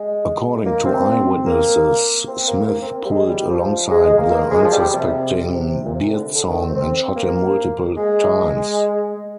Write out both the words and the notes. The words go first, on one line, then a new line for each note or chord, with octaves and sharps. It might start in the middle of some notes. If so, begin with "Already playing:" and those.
According to eyewitnesses, Smith pulled alongside the unsuspecting Byrdsong and shot him multiple times.
Already playing: G#3
A#3
C4
A#3
C4
A#3
A#3
C4
G3
G#3
G3
F3
G#3
G#3
A#3
A#3
G#3
F3
G3
C3
C3
A#2
C3
D3
D3
D#3
C4
C4
A#3
G#3